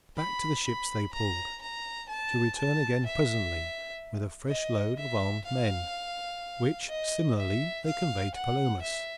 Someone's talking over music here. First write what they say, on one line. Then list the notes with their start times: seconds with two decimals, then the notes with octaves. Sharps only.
Back to the ships they pulled, to return again presently with a fresh load of armed men, which similarly they conveyed to Palomas.
0.16 B5
0.64 B5
1.13 A#5
1.61 A#5
2.09 A5
2.57 A5
3.05 E5
4.48 D#5
4.97 E5
5.45 F5
6.89 D#5
7.38 E5
7.85 F5
8.34 F#5
8.81 E5